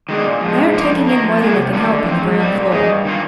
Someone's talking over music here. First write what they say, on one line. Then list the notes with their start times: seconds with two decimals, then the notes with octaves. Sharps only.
They aren't taking in more than they can help on the ground-floor.'
0.09 D#3 G#3 D4
0.25 A#2
0.41 F3 G#3
0.57 G#2
0.73 F3 A#3
0.90 F2
1.07 D#3 A#3
1.23 F3
1.40 A#3 F4 G#4
1.56 C3
1.73 D#3 A#3 D4 F4
1.89 D3
2.05 F3 C4
2.22 G#2
2.39 G3 C4
2.55 A#2
2.71 G#3 D#4 G#4
2.88 G2
3.05 D#3 A#3 F4